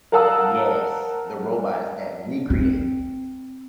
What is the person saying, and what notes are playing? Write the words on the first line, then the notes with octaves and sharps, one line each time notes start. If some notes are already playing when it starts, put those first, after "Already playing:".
Yes, the robots that we created.
A#4 F5 F#5 A5 D#6 E6
C4